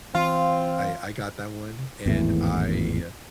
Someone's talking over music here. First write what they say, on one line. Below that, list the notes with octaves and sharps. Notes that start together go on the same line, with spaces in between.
I I got that one and I
E3 C4 F4 F5
G#1 E2 A2 E3